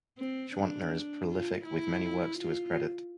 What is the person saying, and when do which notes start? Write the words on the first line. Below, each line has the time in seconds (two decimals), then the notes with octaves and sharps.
Schwantner is prolific, with many works to his credit.
0.18 C4
0.55 D4
1.29 F4
1.65 E4
2.39 F4